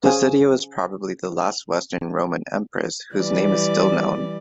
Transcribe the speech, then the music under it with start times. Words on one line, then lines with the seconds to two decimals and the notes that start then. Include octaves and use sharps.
Placidia was probably the last Western Roman Empress whose name is still known.
0.04 C#4 G#4 C5 F5 G5 G#5
3.14 E3 G3 D5